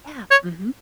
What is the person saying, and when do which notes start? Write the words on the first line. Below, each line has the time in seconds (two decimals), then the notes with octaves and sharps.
Yeah. Mhm.
0.31 C#5